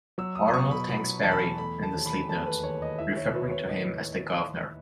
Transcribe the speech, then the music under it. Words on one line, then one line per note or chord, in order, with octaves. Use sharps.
Arnold thanks Barry in the sleeve notes, referring to him as "the Guvnor".
F#3 E6
D#6
D#6
B2 C#6
B5
F#3 B5
E2 A5
B5
A5
A3 B5
A5
D#2
B5
A3 A5
B4
D#2 C#5
D#5
E4 E5
C#5
B3 B4
C#5
A2 D#5